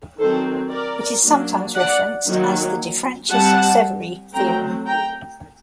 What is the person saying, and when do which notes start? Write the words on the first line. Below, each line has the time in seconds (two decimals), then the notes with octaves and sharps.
It is sometimes referenced as the De Franchis-Severi theorem.
0.19 D#3 F#3 C4 A4 C5
0.72 A#4 D5
1.24 F#3 A#3 D4
1.75 D5 F#5
2.27 D#3 F#3 A#3
3.30 G3 C4 F#5 A5
4.34 F#3 A3 C4 G5 A#5
4.86 G5 A#5